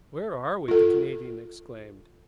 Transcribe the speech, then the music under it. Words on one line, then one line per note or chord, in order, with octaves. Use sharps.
"Where are we?" the Canadian exclaimed.
F4 A4